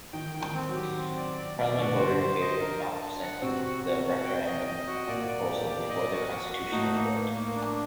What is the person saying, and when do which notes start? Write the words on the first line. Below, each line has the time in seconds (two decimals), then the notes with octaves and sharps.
Parliament voted in favour of not presenting the referendum proposal before the Constitutional Court.
0.13 D#3 D#4 G5
0.34 G5
0.41 D#3 D#4
0.54 C4
0.69 F#3 F#4
0.75 G4
0.96 C4
1.17 D5
1.37 D5
1.57 D5
1.77 D3 D4 F#4
1.98 C5
2.19 C5
2.40 D#5
2.61 A#4
2.81 A5
3.01 A5
3.22 F#5
3.42 C3 C4 F#4
3.64 F#4
3.84 F#4
4.04 F#4
4.25 G5
4.46 D#5
4.66 D#5
4.87 F#4
5.07 A#2 A#3 D5
5.28 D5
5.48 G4
5.70 D5
5.89 D#5
6.11 F#4
6.30 F#4
6.52 F#4
6.72 A2 A3 D#4
6.93 A#3
7.13 A#3
7.33 A#3
7.55 D4